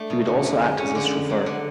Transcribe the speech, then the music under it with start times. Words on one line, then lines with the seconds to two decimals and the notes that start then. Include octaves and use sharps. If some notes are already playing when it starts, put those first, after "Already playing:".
He would also act as his chauffeur.
Already playing: A3 D4
0.10 B2
0.27 D3
0.44 F2
0.62 G#3
0.78 C#4
0.95 D3
1.13 F2
1.30 F#3
1.46 D3